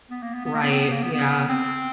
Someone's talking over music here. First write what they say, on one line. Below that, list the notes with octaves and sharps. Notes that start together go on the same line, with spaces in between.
Right, yeah.
B3
A#3
B3
B3
A#3
B3
C4
B3
A#3
B3
B3
C4